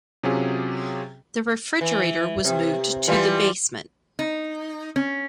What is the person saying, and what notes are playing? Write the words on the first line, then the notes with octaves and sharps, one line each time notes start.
The refrigerator was moved to the basement.
C3 F#3 C#4 F4 G4 G#4
E3
C3
E3 G3 F4
D#4
C#4